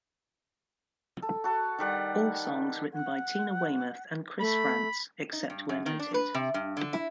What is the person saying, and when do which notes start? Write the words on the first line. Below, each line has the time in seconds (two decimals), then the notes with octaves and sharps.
All songs written by Tina Weymouth and Chris Frantz, except where noted.
1.22 A4
1.44 F#4 A4
1.78 D#3 G3 F#5
2.94 F#5
4.40 A3 B5
5.33 D#4
5.50 G2
5.69 F#2
5.86 D#3
5.99 D4
6.14 B4
6.35 C3
6.54 G2
6.77 D3
6.93 E4